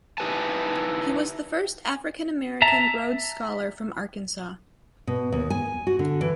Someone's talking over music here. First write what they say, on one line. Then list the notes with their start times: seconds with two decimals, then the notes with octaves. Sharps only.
He was the first African American Rhodes scholar from Arkansas.
0.18 D#4 E4 G4 B4 G#5 A5
2.62 E5 A5 A#5
5.07 B2
5.32 D#2
5.50 G#5
5.87 F#4
5.99 D3
6.21 E3